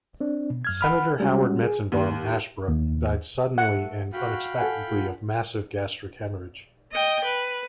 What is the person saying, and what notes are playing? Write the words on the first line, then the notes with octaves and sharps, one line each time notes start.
Senator Howard Metzenbaum, Ashbrook died suddenly and unexpectedly of a massive gastric hemorrhage.
C4 D4
B2
F#2 F6 G#6
F#5 B5 F6
G3 G#3 C#4 F#4
G#4
D#2
D#2
A3 F#5
F#4 F5 G5 B5
A4 F#5 G#5
F4
D#5 G5
B4